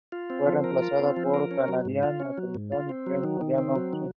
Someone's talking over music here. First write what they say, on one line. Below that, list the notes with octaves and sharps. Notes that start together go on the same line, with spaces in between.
He appeared in eight of the nine matches.
F4
C4
F3
A#4
F4
C4
F3
A#4
C#4
F#3
G#2
F4
C#4
F#3
G#2
F4
C4
F#3
D#3
D#3
C4
F#3
D#3